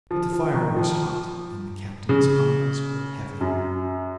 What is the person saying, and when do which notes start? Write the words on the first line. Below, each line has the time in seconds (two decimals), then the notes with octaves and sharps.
But the fire was hot, and the captain's eyes were heavy.
0.11 F3
0.33 F3
0.54 D#3
0.77 F3
2.09 C#3
3.41 F#2